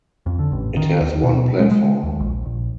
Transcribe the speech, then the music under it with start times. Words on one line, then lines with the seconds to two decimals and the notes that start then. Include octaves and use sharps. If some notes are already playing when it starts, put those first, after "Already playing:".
It has one platform.
0.26 F2
0.39 D3
0.52 A1
0.77 D#3
1.01 D#2
1.23 B2
1.59 G#3
1.71 G#3
2.03 D#2
2.20 A#1
2.46 A#1